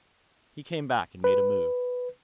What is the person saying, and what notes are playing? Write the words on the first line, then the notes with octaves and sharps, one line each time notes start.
He came back and made a move.
B4